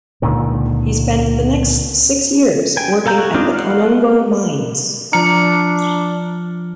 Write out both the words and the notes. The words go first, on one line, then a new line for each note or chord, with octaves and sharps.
He spent the next six years working at the Konongo mines.
C#2 A#2 D3 D#3
G5 G#5
A4 F5 A#5 G6
F#4
G#3 C4 D4 D#4 F4
F5 F#5
F3 D4 A#5 F6 C#7